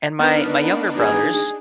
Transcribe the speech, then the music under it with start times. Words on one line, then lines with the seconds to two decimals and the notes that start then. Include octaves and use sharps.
And my my younger brothers,
0.20 B3 D4 D#4 A#4 B4
0.98 G#4